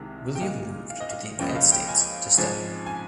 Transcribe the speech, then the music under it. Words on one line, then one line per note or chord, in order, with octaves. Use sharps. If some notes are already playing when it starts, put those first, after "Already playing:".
William moved to the United States to study.
Already playing: C2 C3 D#3 G#3
G5
A#2 G#3 D#4 F5
F5
D#5
F5
C#2 C#3 F3 A#3 C#4 G5
D#5
F5
G5
G#5
G#2 F3 G#3 C4 G#5
G#5